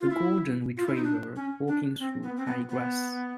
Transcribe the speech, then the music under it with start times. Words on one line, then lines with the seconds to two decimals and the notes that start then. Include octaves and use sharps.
A golden retriever walking through high grass.
0.01 F4
0.10 E4
0.77 F4
0.86 E4
0.95 D#4
1.04 D4
1.36 C#4
1.68 D4
2.00 C4
2.23 B3
2.37 C4
2.46 B3
2.69 B3